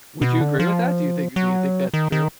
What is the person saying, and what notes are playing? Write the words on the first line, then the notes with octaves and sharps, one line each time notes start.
Would you agree with that? Do you think do you think that's true?
B2
D3
F3
F#3
D#3
D#3